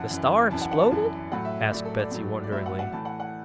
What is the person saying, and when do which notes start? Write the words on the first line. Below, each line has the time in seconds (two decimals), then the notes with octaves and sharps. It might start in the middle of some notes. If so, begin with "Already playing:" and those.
"The star exploded?" asked Betsy wonderingly.
Already playing: F#2 E3 F#5 A5
0.10 F#2 E3
0.51 F#2 E3 A5
0.61 F#5
0.71 F#5
0.81 A5
0.91 F#2 E3
1.32 A2 F#3 F#5
1.45 E5
1.72 A2 F#3 D5
1.85 A4
1.99 D5
2.12 A2 F#3
2.44 D5
2.52 A2 F#3 E5
2.66 F#5
2.79 F#5
2.92 A2 E3 A5
3.05 F#5
3.20 F#5